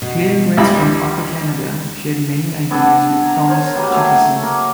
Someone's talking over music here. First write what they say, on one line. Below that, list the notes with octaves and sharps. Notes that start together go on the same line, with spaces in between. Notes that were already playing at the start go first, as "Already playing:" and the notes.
Clear Grits from Upper Canada shared many ideas with Thomas Jefferson.
B2
C#2 G#2 G3 E4 B5
B3 D4 G#4 A4
A#5
A#4 C5 C#5 G#5
B2 G3 A#3 B4
F#3 A3 G#4
A#3